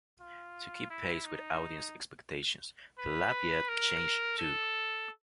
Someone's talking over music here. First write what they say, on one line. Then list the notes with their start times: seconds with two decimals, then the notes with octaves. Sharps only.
To keep pace with audience expectations, the Lafayette changed, too.
0.21 F4
0.90 E4
1.25 D#4
2.99 B4
3.69 A#4
4.38 A4